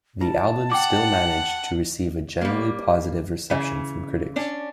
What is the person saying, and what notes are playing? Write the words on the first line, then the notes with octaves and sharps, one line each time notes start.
The album still managed to receive a generally positive reception from critics.
F4 A5
F#5 G5 D6
G3 A#3
C#3 E3
C#4 D4